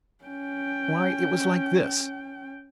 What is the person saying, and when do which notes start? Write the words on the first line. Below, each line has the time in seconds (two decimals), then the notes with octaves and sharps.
Why, it was like this.
0.24 C#4 G5